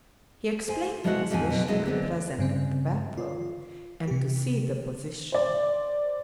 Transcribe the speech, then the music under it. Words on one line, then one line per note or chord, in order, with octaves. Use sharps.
He explained his wish to be present at the battle and to see the position.
C5 G#5
F3 G#3 B3 E4 F#4
E2 G#2 C#3 F3 C4 G#5
B2 F#3 C4
F#3 G#3 A3 C#4 D#4 E4
D3 B3 C4
G2 C#3 C4
F4
C3 G4
C5 D5